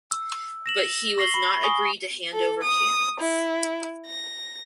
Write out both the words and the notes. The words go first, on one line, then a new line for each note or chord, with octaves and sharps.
But he was not agreed to hand over cannons.
E6
A#6 E7 F#7
C#6 A#6 C7 F#7 G7
B5
G#5 C#6 D#6 G7
A4
D#6
E4
A#6